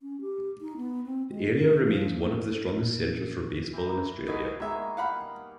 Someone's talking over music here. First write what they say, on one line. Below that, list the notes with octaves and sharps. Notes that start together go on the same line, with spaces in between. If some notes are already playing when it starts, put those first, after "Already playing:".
The area remains one of the strongest centres for Baseball in Australia.
C#4
G4
D#4
B3
C4
G#3
A#4
F3
A#3
A4
A#2
E3 G5 A#5
D#4 E4 F#4 G#4
D#3 G#3 A#3 B3 E5
G3 F5 F#5 B5